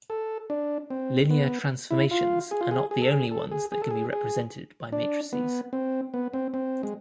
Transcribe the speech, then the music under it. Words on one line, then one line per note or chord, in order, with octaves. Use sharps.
Linear transformations are not the only ones that can be represented by matrices.
A4
D4
C4
B3
E4
F4
G#4
F4
G#4
G#4
A4
G#4
A4
G#4
G#4
A4
G#4
G#4
D4
B3
C4
B3
C4
C4
G#3